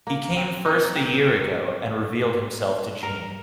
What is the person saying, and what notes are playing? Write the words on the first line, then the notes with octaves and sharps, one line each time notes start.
He came first a year ago, and revealed himself to Jeanne.
A#3
C4
D#4
G4
A#4